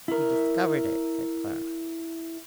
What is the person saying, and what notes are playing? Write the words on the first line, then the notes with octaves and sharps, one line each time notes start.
"You discovered it!" said Clara.
E4 A#4